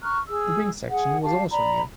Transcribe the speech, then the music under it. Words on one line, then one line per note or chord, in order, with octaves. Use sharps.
The wing section was also new.
A#5 C#6 F6 F#6
G#4 E6
G#4 F#5
G4 F5 A5
D5 A#5 B5